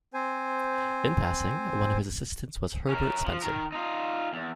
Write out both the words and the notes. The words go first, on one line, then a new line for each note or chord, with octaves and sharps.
In passing, one of his assistants was Herbert Spencer.
C4 C5 G#5
C#4 A#4
F3
D#3 A#4
D#4 F4
E2